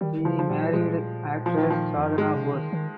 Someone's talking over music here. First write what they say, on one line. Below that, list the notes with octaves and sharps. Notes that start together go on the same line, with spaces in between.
He married actress Sadhana Bose.
D#3 G3
C#3 F3
F3
A#2 G3
A#2 G#3
F3
D#3
F3
F2
G2
G#2 G#3
C3
D#3
D#3